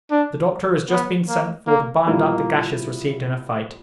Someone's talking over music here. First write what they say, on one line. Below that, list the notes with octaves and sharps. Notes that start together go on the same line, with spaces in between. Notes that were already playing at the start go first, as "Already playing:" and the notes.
The doctor has just been sent for to bind up the gashes received in a fight.
D4
B3
A#3
A#3
A#2 G3 A#3 B3 E4